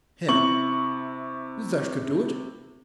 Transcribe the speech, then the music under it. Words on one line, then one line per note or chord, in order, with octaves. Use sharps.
HIM: That could do it.
C3 E4 C#6 F#7